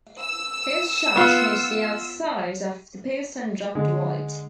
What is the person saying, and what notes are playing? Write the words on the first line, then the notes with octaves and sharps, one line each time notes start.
His shot hit the outside of the post and dropped wide.
E6
B3 F4
D3 G#3